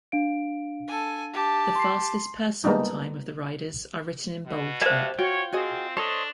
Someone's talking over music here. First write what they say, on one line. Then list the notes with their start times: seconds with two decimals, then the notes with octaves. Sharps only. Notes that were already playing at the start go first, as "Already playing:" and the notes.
The fastest personal time of the riders are written in bold type.
0.12 D4 F5 D7
0.88 A4 G#5
1.33 G4 A5
1.75 C6 C7
2.64 G3 G#3 A#3 B3 D4 D#4
4.46 B2
4.82 G4 C5 D5 E5 F5 A5
5.19 F4 F#4 C#5 G5
5.52 C4 F#4 G#4 D#5
5.97 D4 A4 C5 C#5 D#5